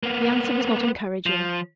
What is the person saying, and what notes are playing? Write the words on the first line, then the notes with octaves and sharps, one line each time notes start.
The answer was not encouraging.
A#3 B3
F3